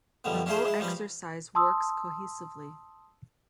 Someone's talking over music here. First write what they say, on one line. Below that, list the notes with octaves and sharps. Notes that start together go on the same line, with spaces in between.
The whole exercise works cohesively.
F#2 B2 D3 F3 G3
C#4 D4 E4 F4 G#4 C5
G#3 E4
F3 G3 C4 C#4 B4
A5 C6 D#6 E6